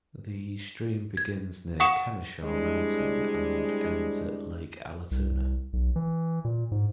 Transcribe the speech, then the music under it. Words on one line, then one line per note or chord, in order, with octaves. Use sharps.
The stream begins near Kennesaw Mountain and ends at Lake Allatoona.
G#6
F5 F#5 C#6 D#6 C#7 E7
G3 G#3 C4 D4 E4
C2
B1
E3
A#2
G#2